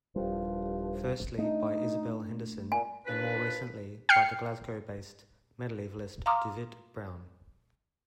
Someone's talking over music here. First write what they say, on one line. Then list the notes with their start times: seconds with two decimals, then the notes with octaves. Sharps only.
Firstly by Isabel Henderson, and more recently by the Glasgow-based medievalist Dauvit Broun.
0.16 D#1 C2 G2 F3 G3
1.38 A3 D4 D#4
2.72 A#2 G#5
3.06 D#2 A#2 D4 B4
4.09 G5 F6 C7 C#7
6.26 F5 A#5 C6 D6 D#6 F6